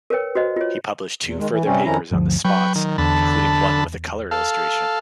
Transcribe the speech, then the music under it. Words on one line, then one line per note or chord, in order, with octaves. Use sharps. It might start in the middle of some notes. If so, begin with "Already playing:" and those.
He published two further papers on the spots, including one with a colour illustration.
A#4 B4 C#5 G5
F#4 C5 D#5
F4 C#5
E2
D#3 G#3
E3
G2 C3 G3 C4 C#4
F2 D#3 F3 C#4 E4 A#5
G1 D2 F3
F#3 B4 G5 C#6
D#3
E2 D3 A5 B5
A4 F5